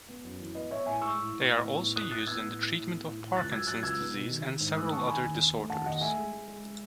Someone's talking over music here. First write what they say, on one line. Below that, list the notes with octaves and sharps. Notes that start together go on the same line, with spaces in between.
They are also used in the treatment of Parkinson's disease and several other disorders.
B3
F#2
E3
B3 B4 D#5
B3 C#5 E5
A2 E5 G#5
G#3 C#6 E6
A2
A2
A2
B3
A2
A2 D#6 F#6
A2 F#6 A6
B3 E6 G#6
A2
A2
A2
B3
A2
A2
C#2 F#6 A6
F#3 E6 G#6
F#3 F#6 A6
C#2 E6 G#6
B3
B2
D#3
D#3
G#2
E6
A3 D#6 F#6
D#3 A5 C#6
D#3 G#5 B5
D#2
D#2
A3
D#2 F#5 A5
D#2 D#5 F#5
A3 E5 G#5
G#3
G#3
G#3
G#3